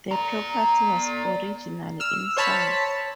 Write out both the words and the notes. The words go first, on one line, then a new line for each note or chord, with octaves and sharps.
The property was originally in size.
D5 A#5
E6 F6
C5 C#5 A5 B5 B6